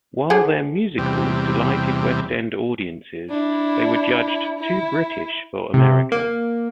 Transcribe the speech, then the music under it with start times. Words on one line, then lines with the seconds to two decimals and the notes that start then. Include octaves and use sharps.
While their musicals delighted West End audiences, they were judged "too British" for America.
0.30 D3 G#4 C5
0.98 E2 C3 G3
3.30 D4 E4
4.59 E4
5.74 C3
6.12 A#3